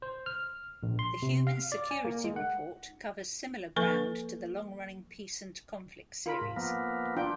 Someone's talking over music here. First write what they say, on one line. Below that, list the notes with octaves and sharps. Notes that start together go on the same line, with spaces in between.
The "Human Security Report" covers similar ground to the long-running Peace and Conflict series.
C5
F6
A#1
C6
C3
F5
D5
G#5
A#3
G#3
F#5
F3 A#3 A4 B4 G#5 C#6
F4 A#4 B5
G#2
F3 A#3 B3
D4 F4 G5